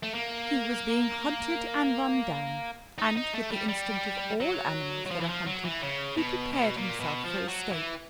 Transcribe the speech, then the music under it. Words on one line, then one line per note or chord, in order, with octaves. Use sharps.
He was being hunted and run down, and, with the instinct of all animals that are hunted, he prepared himself for escape.
A3
A#3
D#4
D#4
A3
G3
G3
F#3
F#3
F3
E3
F3
F#3
E3
C#3
B2
B2
A#2
B2
F3
F#3
E3